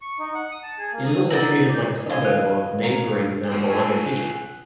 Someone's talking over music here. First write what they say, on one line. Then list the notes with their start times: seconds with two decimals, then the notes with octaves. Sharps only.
It is also treated like a suburb of neighboring Zamboanga City.
0.02 C#6
0.19 D#4
0.34 F#5
0.52 D#6
0.63 A5
0.78 G#4
0.93 A#3
1.06 D#6
1.31 E4 D5 D#5 F#5 A#5
1.69 D6 G6
2.10 D#5 F5 G#5
2.25 D#3
2.83 C#4 F5 A#5
3.51 A#3 F#4
3.70 F4 G#4 A4 G#5
3.93 F#6